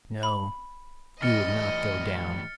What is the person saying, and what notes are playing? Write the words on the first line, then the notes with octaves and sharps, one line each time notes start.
No, he would not go down.
B5
A2 E3 G3 D#5 F6 A6 C#7